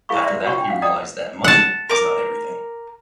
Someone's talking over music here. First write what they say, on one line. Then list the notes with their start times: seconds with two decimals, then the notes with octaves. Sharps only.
After that he realised that money is not everything!
0.09 E4 G#4 F5 B5 C#6
0.23 D5 E5 A#5 C6
0.43 F4 F#4 F#5 C#6
0.58 D4 G5
0.70 F5 F#5
0.82 D5 D#5 F#5 G5 A#5 D#6
1.44 F#5 A5
1.89 A#4 D6